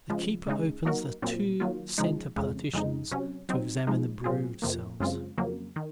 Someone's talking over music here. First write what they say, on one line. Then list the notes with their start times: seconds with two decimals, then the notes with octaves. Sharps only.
The keeper opens the two center partitions to examine the brood cells.
0.10 C#3 F3 G#3
0.47 C#3 G#3 D#4
0.85 F#3 A#3 D#4 F#4 A#4
1.22 A#2 F#3 C4
1.60 D#3 F#3 A#3 F4
1.98 C#3 F3 G#3 D#4
2.36 F2 C#3 G#3
2.73 F2 C#3 G#3 D#4
3.11 C3 F#3 C#4
3.49 F#3 C4 D#4
3.87 F3 G#3 D#4
4.24 A#2 F#3 C4 F4 G#4
4.62 F2 C3 F3 A#3
5.00 F#2 C#3 G#3 C4 F4
5.38 F2 C#3 F#3 A#3
5.76 D#3